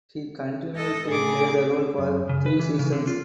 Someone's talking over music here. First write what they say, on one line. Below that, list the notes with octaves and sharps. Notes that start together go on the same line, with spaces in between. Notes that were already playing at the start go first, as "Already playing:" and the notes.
He continued to play the role for three seasons.
A4 D#5
A2 C#3 G#4 D6
F#2
C#3
B4
E3
C#3
D3
F4